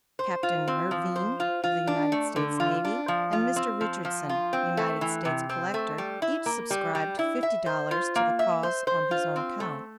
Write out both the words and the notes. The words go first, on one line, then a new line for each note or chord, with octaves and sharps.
Captain Mervine of the United States Navy, and Mr. Richardson, United States Collector, each subscribed fifty dollars to the cause on his own account.
C5
F4
C4
F3
C5
F4
F4
D4
A3
D3
F4
D4
F3
F4
C4
F3
F3
F4
C4
A3
E3
C3
C4
A3
G3
E4
A#3
G3
G3
E4
E5
C5
F4
A#3
E5
C5
C5
F4
C4
A3